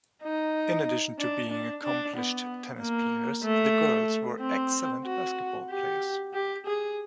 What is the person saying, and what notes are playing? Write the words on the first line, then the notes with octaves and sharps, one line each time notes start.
In addition to being accomplished tennis players, the girls were excellent basketball players.
D#4
D4
D4
D4
B3
A#3
A3
C4
F#4
G4
G4
G#4